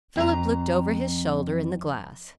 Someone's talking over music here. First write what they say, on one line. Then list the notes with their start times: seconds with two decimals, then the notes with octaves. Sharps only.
Philip looked over his shoulder in the glass.
0.16 F2 G#4 A#5